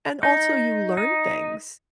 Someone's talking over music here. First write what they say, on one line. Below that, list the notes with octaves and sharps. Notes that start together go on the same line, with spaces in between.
and also you learn things.
D#4
D#4